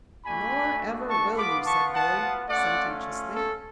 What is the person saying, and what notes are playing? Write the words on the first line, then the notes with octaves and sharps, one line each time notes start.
"Nor ever will you," said Billy, sententiously.
A3 D4 F#4 G#5 B5
A5 C#6
B3 F4 B5 D6
A5 C#6
F#5 A5
A3 C#4 F4 D5 F#5
A4